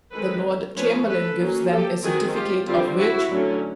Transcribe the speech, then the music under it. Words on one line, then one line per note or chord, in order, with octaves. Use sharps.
The Lord Chamberlain gives them a certificate of virtue.
D#3 G#3 C4 A4 B4
F3 A3 C#4 B4 C#5
A4 B4
F#3 A#3 C#4
G4 A4
D#3 G#3 C4 F#4 G#4
F4 G4
D3 G3 C4 F4 G4
E4 F#4
D3 F#3 A3 C#4